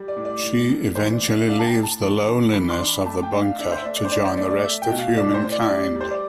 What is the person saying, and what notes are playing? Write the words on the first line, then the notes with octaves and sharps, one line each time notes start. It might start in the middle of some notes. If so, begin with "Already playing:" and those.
She eventually leaves the loneliness of the bunker to join the rest of humankind.
Already playing: G3
D5
A2
D5
A2
A2
E3 C5
D5
A2
E5
E5
D4 F5
A5
G5
A2
A5
E3
D4
E3 B5
C6
D4
B5
A3 A5
G5
D4
F5
D4 E5
C5
E5
A3 D5
D5
C5
D4 D5
C5
A3 D5
D5
A3 E5
G5
B2
F5
A2 D5
C5
A2
D5
G3 D5
G3 C5
D5